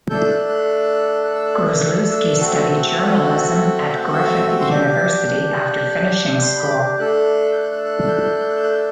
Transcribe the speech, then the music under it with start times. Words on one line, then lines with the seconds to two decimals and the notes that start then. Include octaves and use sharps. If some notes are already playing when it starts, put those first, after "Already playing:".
Gruzlewski studied journalism at Griffith University after finishing school.
0.10 A3 D4 A4 G6
0.29 F#6
0.49 F#6
1.24 F#6
1.35 E6
1.45 F#6
1.77 G6
1.83 F#6
2.11 E6
2.39 A3 C4 F#4 A4 F#6
3.89 G6
4.01 F#6
4.12 E6
4.61 C6
4.70 D4 G4 D6
5.26 F#6
6.42 C6
6.56 B5
6.70 D6
6.99 A3 D4 A4 F#6
7.52 G6
7.56 F#6
7.71 F#6
7.85 F#6
8.00 F#6
8.08 G6
8.16 F#6
8.24 G6
8.31 F#6
8.40 G6
8.48 F#6
8.56 G6
8.63 F#6
8.72 G6